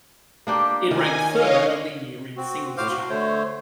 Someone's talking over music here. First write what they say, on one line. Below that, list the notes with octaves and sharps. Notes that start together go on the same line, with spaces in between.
It ranked third on the year-end singles chart.
A#3 D4 G4
D#3 G#5
C#5 D#5 F5
C4 F#4
A2 F#4 C5 F5 D6 F6
F#4
D3 A3 C5 C#5